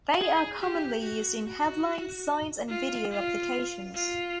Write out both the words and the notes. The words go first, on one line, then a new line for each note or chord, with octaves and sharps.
They are commonly used in headlines, signs, and video applications.
G#4
G4
F#4
F#4
F4
F4
F4